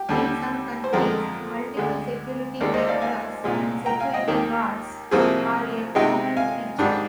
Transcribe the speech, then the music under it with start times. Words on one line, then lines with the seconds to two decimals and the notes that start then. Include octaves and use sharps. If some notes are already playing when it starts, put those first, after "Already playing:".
In some countries, multiple security cameras and security guards are a common feature.
Already playing: G4
0.09 D#2 D3 G3
0.84 C5
0.93 F2 D3 G#3 G4 A#4
1.77 D2 D3 G#3
2.60 D#2 D#3 G#3 A#4 D5
2.74 C5 D#5
2.89 D5 F5
3.02 F5 G#5
3.44 C2 A#2 G#3
3.86 G5 A#5
4.00 F5 G#5
4.14 D#5 G5
4.28 D#2 D#3 A#3 G4 A#4
5.11 C2 C3 F3 A#3 G#4 C5
5.95 C3 D#3 G#3 D#4 D#5 G5
6.37 F5 G#5
6.79 G#2 D#3 G3 D4